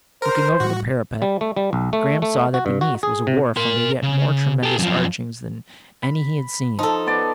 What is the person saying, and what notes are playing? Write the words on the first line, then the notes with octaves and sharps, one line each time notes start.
Looking over the parapet, Graham saw that beneath was a wharf under yet more tremendous archings than any he had seen.
A#4 C5
A2 G3 F#4
G3
A3
G3
B1
A3
A3
F#4
G2
F#4
G#4
C3
A#4 C6
C#3
G4 A4
F#2 F3
B5
F3 D#4 A4
B3 D5